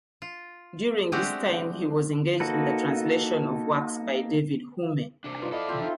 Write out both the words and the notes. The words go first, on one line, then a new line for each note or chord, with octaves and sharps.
During this time he was engaged in the translation of works by David Hume.
F4
G#3 A3 C4 D4 F#4 G4
A#3 D#4 F#4 A4 B4
C3 D4
G3 D#4 F4 B4
E4 A4 D5 D#5 F5
C4 F4 C5 E5
D#4 F4